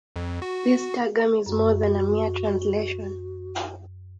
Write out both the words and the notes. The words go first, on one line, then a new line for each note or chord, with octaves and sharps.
This "targum" is more than a mere translation.
F2
F#4
F#2 F#4